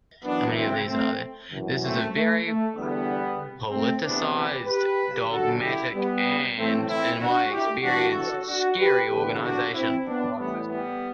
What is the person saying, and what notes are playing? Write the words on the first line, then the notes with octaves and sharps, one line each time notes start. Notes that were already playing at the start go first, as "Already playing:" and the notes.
This is a very politicised, dogmatic, and in my experience scary organisation.
F#2 E3 B3 D4
C4 E4
A3 C4
F#2 E3
A3 C4
A3
A3
E2 D3 G3 B3
A3 C4
E2 C3 E3 B3 D4
G4 B4
G4 B4
F#2 D3 F#4 A4
E4 G4
G3 B3
A2 E3 A3 C4
C4 E4
D4 F#4
E4 G4
G2 E3 D4 F#4
F#4 A4
D4 F#4
G4 B4
E2 D3 G4 B4
D4 F#4
C4 E4
B3 D4
A2 E3 G3 B3
G3 B3